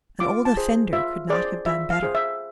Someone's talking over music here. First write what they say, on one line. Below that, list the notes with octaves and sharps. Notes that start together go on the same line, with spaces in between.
An old offender could not have done better.
F4 D6
A5
G#4 C5
F4 E5
G#4 C5 D5
F4 E5
F5
G#4 C5
E5